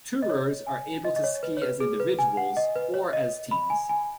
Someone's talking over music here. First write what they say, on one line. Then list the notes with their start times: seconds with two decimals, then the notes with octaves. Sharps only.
Tourers are able to ski as individuals, or as teams.
0.22 D#5
0.30 C#5
0.67 G#5
1.05 D#5
1.16 D#5
1.24 C#5
1.43 B4
1.57 C#5
1.62 B4
1.80 G#4
2.00 B4
2.19 G#5
2.37 F#5
2.57 D#5
2.76 B4
2.94 C#5
3.13 D#5
3.51 B5
3.70 G#5
3.89 G#5